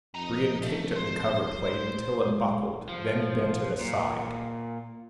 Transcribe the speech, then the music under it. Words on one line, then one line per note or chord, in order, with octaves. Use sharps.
Brion kicked at the cover plate until it buckled, then bent it aside.
F2 D#4 A#5
A3
C5
G#3
F3
A#2